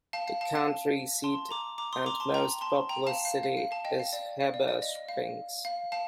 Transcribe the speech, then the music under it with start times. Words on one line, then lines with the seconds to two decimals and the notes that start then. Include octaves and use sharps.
The county seat and most populous city is Heber Springs.
0.13 F5 A5
0.28 F5
0.41 F5 A5
0.55 F5 A5
1.24 A5 C6
1.51 A#5 D6
1.78 A#5 D6
1.93 C6 D#6
2.06 A#5 D6
2.20 A5 C6
2.34 G5 A#5
2.61 A5 C6
2.89 G5 A#5
3.07 F5 A5
3.25 F5
3.43 F5
3.57 F5
3.71 F5 A5
3.85 D#5 G5
4.00 F5
4.13 D5
4.41 F5
4.54 D5
4.68 D5
4.82 D#5
4.95 D#5
5.09 F5
5.65 F5
5.92 F5 A5